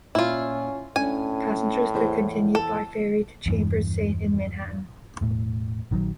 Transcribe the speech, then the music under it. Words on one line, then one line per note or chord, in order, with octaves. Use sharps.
Passengers could continue by ferry to Chambers Saint in Manhattan.
A#2 C#4 E4 F4
A2 C#4 D4 G#5
E2 G#4 C5
A4
E2 G2 E3
E1 A2
A#1 D#3 E3 F#3